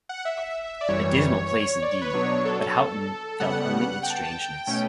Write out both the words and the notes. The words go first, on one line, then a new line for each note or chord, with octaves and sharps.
A dismal place, indeed, but Houghton felt only its strangeness.
F#5
E5
D5
F#2 E3 G3 C#5
D5
C#5
B4
B2 F#3 B3 D4 C#5
A4
A4
C#3 G3 B3 F#5
G5
A5
G5
A5
G5
B2 A3 C#4 G5